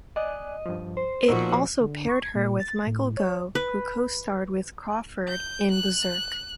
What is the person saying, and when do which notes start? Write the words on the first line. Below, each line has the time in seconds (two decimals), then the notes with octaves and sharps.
It also paired her with Michael Gough, who costarred with Crawford in Berserk!
0.16 D5 D#5 G#5 F#6
0.66 G2 F3
0.97 C5
1.28 A#2 F3 B3 D#4 F#4 E6
1.81 D3
2.09 C#6
2.22 G#6
2.35 A#2
2.60 A6
2.87 A2
3.17 C#5
3.55 B4
5.29 G6
5.72 F#6